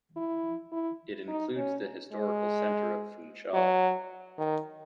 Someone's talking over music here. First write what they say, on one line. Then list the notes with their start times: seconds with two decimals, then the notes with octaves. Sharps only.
It includes the historical centre of Funchal.
0.16 E4
0.72 E4
1.28 D#4
1.56 C#4
2.13 G#3
3.54 F#3
4.38 D#3